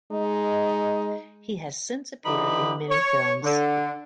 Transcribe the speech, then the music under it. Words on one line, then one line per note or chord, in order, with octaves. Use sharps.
He has since appeared in many films.
G#3 D#4
D3 E3 D#4 G4 B5
C#5
D3